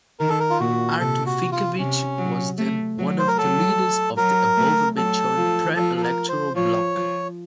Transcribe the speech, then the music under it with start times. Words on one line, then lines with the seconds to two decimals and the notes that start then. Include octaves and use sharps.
Artur Finkevich was then one of the leaders of the above-mentioned pre-electoral block.
0.20 D#3 A#4
0.30 A4
0.40 A#4
0.50 F4
0.60 A#2 F#4
1.00 C3 A4
1.26 F#4
1.52 F4
1.79 C3 C#4
2.18 F#3
2.58 A3
2.99 F#3
3.19 C5
3.28 A#4
3.37 F#3 A4
4.17 F#3 A#4
4.57 A3
4.96 F#3 A4
5.37 F3
5.76 F3 A4
5.97 A4
6.03 A#4
6.29 C5
6.56 F3 C#5
6.96 F3